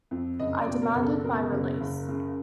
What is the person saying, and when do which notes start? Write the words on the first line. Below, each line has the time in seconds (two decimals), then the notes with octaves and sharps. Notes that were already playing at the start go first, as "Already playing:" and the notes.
I demanded my release.
0.11 F2
0.39 F#1 D#5
0.61 D5
0.67 B2
0.82 A#4
0.95 F#1
1.03 A4
1.23 B2 A#4
1.52 F#1
1.81 F#1
2.09 C#3